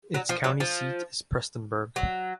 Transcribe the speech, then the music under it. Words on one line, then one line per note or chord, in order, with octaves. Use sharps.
Its county seat is Prestonsburg.
F#3
F3
F#3
F3
F#3